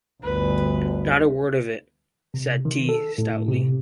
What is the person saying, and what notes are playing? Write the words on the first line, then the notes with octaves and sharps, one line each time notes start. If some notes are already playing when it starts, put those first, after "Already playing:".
"Not a word of it," said T., stoutly.
G1 D2 B4
C3
D#3
A4
A2
C3